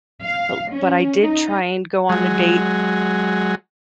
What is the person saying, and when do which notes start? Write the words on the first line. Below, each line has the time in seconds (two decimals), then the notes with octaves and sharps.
But l but I did try and go on a date,
0.23 F5
0.73 C#4
1.21 D#4
2.09 F#3 G#3